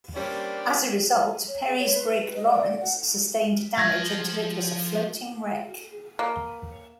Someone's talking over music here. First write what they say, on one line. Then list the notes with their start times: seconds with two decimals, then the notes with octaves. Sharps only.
As a result, Perry's brig, "Lawrence" sustained damage until it was a floating wreck.
0.16 G3 A#3 C#4 D4 C5 D5 G5 B5
1.48 C#5
1.66 G#4
1.79 C#5
1.94 B4
2.20 B4
2.36 D#5
2.52 D5
2.80 F#5
3.78 F3 G#6 A#6
6.19 A#3